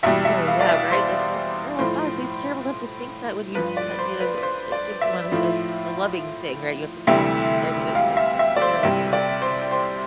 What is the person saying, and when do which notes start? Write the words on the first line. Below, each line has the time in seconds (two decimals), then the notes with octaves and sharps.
Oh, yeah, right? That's that's terrible thoughts. It's terrible to have to think that when you t You know, uh, eh, give someone a s a loving thing, right? You have to think of something negative. Like, that's a terrible thing to have to think that way
0.03 E2 B2 G3 E5
0.25 E5
0.47 F5
0.60 D5
0.69 E5
0.91 C5
1.79 A2 F3 C5
3.55 G2 F3 B4
3.77 D5
3.99 C5
4.21 B4
4.43 C5
4.72 D5
5.01 E5
5.31 A2 F3
7.07 D2 C3 E3 G3 E5
7.95 F5
8.17 E5
8.39 E5
8.56 D5
8.62 C5
8.83 C2 C3 G3 E5
9.13 D5
9.42 C5
9.71 C5